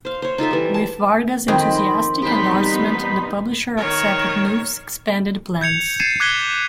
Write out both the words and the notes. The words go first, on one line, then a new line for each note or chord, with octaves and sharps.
With Varga's enthusiastic endorsement, the publisher accepted Knuth's expanded plans.
C5 F5
C5 C#5
D#4 F4 A4 E5
E3 G3
A5
F2 D#3 C4 G#4 D#5 B5
E2 G3 B3 D#4 G4 B5 C6 B6
D#3 C#5
G6 G#6 C#7 F7
G#6 A6 C7 C#7 D#7 E7
D6 F#6 G#6 B6 D#7 G7